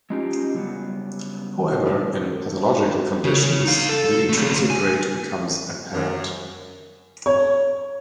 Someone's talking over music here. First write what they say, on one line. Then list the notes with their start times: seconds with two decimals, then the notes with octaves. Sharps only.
However, in pathological conditions, the intrinsic rate becomes apparent.
0.10 G#3 C#4 D#4 F4 G4
0.54 C#3 F#3 G3 B3
3.24 C#3
3.65 D#4 F5
3.89 A4
4.29 A3 C4
4.70 G#5
5.93 F#2
7.26 C#5